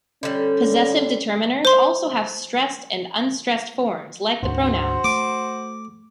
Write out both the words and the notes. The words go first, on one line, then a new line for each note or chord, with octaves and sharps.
Possessive determiners also have stressed and unstressed forms, like the pronouns.
D3 G3 C#4
C5 C6
D2 G#2 F#4 C5
A3 D6